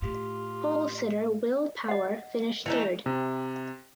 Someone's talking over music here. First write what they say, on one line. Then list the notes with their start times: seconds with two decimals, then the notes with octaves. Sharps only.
Polesitter Will Power finished third.
0.02 A2 F4 G4
1.88 D#5 F#5
2.66 E3 A3 D#4
3.06 C3